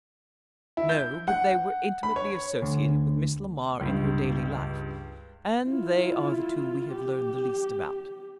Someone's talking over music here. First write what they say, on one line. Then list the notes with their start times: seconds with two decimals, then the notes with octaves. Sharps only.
"No, but they were intimately associated with Miss Lamar in her daily life and they are the two we have learned the least about."
0.77 E4
0.89 G6
1.28 F#5
2.03 B5
2.16 C#5
2.62 D2
3.80 C#2 G2
5.67 E4 F4
6.92 G4